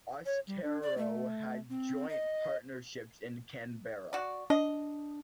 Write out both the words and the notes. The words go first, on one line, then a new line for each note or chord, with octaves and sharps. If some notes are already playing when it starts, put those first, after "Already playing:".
Austereo had joint partnerships in Canberra.
C#5
G3
D4
D5
A3
C4
D#5
F#4 D5
D4 D#5